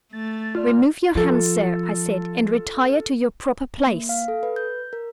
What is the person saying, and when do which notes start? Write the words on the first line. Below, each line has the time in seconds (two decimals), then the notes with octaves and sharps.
"Remove your hands, sir," I said, "and retire to your proper place."
0.13 A3 A6
0.55 F4 D5 F6
1.15 F3 F4 A4
3.86 A#3
4.09 F5
4.28 A4
4.43 B4
4.56 G6
4.93 A#4